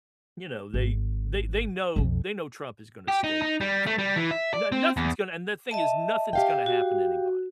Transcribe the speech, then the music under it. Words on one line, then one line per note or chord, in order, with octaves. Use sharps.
you know, they they they know they know Trump is gonna skate anything. No nothing's gonna and the thing is, nothing's gonna happen to anybody.
G#1
B1 F2
G4
D#4
D#4
G3
A3
G3
E3
E5
D5
C4
E2
D#5 E5 A5
G4 F5 G5
F#4